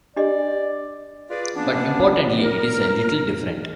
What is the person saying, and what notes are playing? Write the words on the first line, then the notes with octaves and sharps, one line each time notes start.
But, importantly, it is a little different.
D4 G4 D5 D#5
F4 G#4 B4 D5
E3 A#3 B3 C#4 D4
A#4